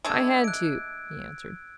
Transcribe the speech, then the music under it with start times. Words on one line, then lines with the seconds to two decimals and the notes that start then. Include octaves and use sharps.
"I had to," he answered.
0.05 G#3 A3 D4 E6 G#6
0.44 F#6 D7